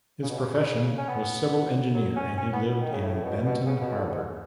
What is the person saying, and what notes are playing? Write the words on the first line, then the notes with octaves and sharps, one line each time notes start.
His profession was civil engineer and he lived in Benton Harbor.
C#3
B2
C#3
C#4
B3
F#3
C#4
C#4
B3
D#3
C#3
A2
A2
B2
B2
C#3
B2
A2
G#2